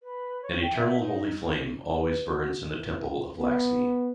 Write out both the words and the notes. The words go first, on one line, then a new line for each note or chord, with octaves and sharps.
An eternal holy flame always burns in the temple of Laxmi.
B4
C#5
G5
E5
D#4
B4
F#4
E3
B3